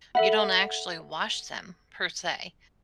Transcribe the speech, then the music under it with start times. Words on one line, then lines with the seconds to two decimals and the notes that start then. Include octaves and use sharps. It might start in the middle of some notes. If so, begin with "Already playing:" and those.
you don't actually wash them per se,
0.15 A4 E5 F#5 B5